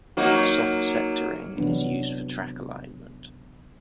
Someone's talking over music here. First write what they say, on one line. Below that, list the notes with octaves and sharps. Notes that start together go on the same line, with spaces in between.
Soft sectoring is used for track alignment.
F#3 A#3 D#4
C3 E3 F#3 B3 D4